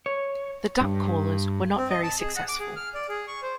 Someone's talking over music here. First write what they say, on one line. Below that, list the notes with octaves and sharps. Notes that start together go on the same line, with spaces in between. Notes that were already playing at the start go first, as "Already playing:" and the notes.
The duck callers were not very successful.
C#5
G2
C4
D#5
A5
G#4
F#5
D6
G#4
F6
D5
G#4
C#6
C5